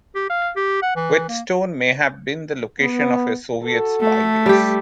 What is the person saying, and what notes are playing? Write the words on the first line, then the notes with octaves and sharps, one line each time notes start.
Whetstone may have been the location of a Soviet spy base.
G4
F5
G4
F#5
E3
A#3
B3
F#4 A4
A3
G3 G4